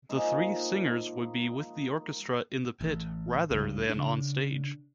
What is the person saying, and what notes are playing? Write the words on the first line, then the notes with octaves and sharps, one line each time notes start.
The three singers would be with the orchestra in the pit, rather than onstage.
F3 G#3 A#3 D#4
A1
C#2 G2
C#3 D4